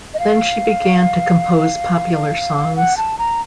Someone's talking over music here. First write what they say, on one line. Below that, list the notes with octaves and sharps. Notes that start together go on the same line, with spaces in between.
Then she began to compose popular songs.
D#5
F5
F#5
A5
A#5